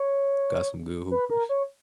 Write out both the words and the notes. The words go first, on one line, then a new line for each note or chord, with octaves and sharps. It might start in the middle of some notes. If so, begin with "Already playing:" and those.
Got some good hoopers.
Already playing: C#5
B4
A#4
C#5